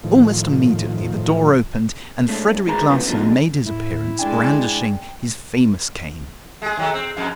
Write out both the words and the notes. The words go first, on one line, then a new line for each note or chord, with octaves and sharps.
Almost immediately the door opened and Frederic Larsan made his appearance, brandishing his famous cane.
A2 D#3 F3
A#2 D3 G#3 A3
D2 E3 G#3 G#4 A#5 B5
C#2 A#2 C#3 E3 F#3 B3
B2 D3 F3 G#3 D#4
A2 E4
G#3 D4 G5 G#5
G#3 G#4
D#3 F#3 A3
C4
F2 G#2 A#3